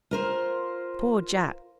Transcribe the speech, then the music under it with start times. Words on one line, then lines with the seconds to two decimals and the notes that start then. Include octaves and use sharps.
Poor Jack!
0.11 F4 A#4 C5